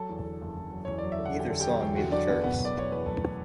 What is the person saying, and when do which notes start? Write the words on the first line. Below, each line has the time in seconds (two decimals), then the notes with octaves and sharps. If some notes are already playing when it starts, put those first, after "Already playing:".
Neither song made the charts.
Already playing: F#3 A4 A5
0.09 E2
0.25 D3
0.41 F#1
0.57 F#1
0.71 F#3
0.85 E2 C#5
0.98 F#3 D5
1.12 E5
1.18 D3
1.26 F#5
1.35 D3 G4 G5
1.50 D3
1.60 G4 G5
1.66 F#3
1.81 E2 G4 G5
1.96 D3 F#4 F#5
2.12 F#3 D4 D5
2.28 F#1 B3 B4
2.43 B2 B3 B4
2.59 F#3
2.65 D5
2.75 F#3 C#5
2.90 E2 B4
3.06 F#3 A3 A4